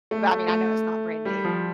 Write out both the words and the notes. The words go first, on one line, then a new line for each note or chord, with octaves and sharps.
but I mean, I know it's not brand-new.
A3
A3
A3
G3
F3